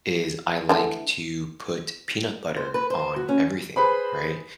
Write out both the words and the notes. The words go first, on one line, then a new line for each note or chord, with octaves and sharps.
is I like to put peanut butter on everything, right?
D3 E3 A3
C5
B4
C5
F#4
C#4
G#4 B4 C5 B5